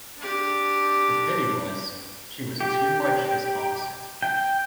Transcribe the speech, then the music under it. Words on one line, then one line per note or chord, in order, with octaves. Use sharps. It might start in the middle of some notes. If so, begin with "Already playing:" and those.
The pity was, she was too much his opposite.
D4 G4
G4
G5